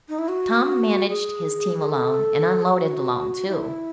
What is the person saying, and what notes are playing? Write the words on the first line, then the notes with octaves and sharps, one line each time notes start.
Tom managed his team alone, and unloaded alone, too.
D#4
E4
F#4
G#4
G#4
A4
G#4
F#4
E4